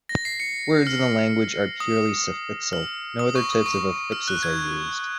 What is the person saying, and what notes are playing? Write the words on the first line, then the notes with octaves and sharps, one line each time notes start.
Words in the language are purely suffixal; no other types of affixes are used.
A#6
C7
C#7
F6
D#6
F6
D#6
C#6
D#6
C#6
F6
F#6
G#6